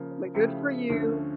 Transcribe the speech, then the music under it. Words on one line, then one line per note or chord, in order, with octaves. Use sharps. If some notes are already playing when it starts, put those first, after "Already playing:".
like, "Good for you."
Already playing: C#3 F3 A#3
C#3 F3 A3 E4 G4
D2 D3 F3 A3 C#4